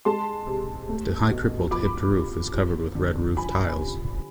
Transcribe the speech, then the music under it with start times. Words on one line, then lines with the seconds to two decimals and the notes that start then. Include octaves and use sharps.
The high crippled hipped roof is covered with red roof tiles.
0.05 G#3 A5 C6
0.47 C3
0.89 A3
1.30 B2
1.71 F3 B5 D6
2.12 C3
2.54 F3
2.95 D3
3.37 F3 G#5 B5
3.78 C3